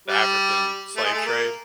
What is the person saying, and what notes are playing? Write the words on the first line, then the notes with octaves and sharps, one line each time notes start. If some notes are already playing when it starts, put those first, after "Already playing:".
the African slave trade,
G3
A3
G#3
A3
A#3